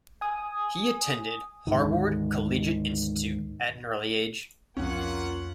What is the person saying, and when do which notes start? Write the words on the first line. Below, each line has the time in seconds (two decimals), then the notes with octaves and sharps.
He attended Harbord Collegiate Institute at an early age.
0.21 G#5 D#6
1.67 D2 G#2 D#3
4.77 C2 F2 A#3 C#4 F4 F#5